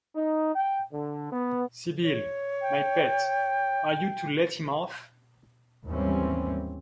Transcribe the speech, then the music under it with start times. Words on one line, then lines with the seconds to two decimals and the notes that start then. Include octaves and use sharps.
Sybil, my pet, are you to let him off?
0.16 D#4
0.56 G5
0.92 D3
1.32 B3
2.03 C#5
2.62 G5
5.86 D#2 G#2 E3 G3 C4 C#4